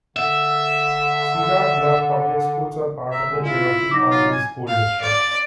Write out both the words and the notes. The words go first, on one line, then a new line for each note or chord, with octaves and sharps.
Cedar Bluff Public Schools are part of the Cherokee County School District.
D3 E5
E5 A#5
D3 G#3
E4 F4
F#3 D#4 D6 A#6
F4
G#5
F5
D5